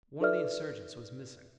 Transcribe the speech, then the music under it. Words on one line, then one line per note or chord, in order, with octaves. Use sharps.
One of the insurgents was missing.
D#4 A4 B4 D5 E5 F6